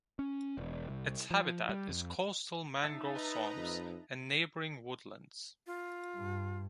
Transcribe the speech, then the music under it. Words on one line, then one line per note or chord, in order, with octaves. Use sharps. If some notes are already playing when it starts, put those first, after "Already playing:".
Its habitat is coastal mangrove swamps and neighbouring woodlands.
C#4
E1
C2
F3
G3
F2
D#4 E5 A5
B4 D#5 A#5
F2
F4
G2